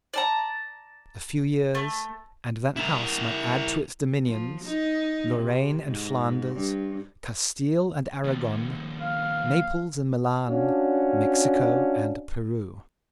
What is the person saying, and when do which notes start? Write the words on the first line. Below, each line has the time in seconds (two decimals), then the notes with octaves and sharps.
A few years, and that House might add to its dominions Loraine and Flanders, Castile and Aragon, Naples and Milan, Mexico and Peru.
0.14 D5 A5 A#5
1.75 A3
2.76 E4 A#4
4.27 F3
4.64 D#4
5.34 C3
5.85 G#2
6.53 G2
8.24 D#2 F3
9.01 F5
10.48 C#4 D4 F4 F#4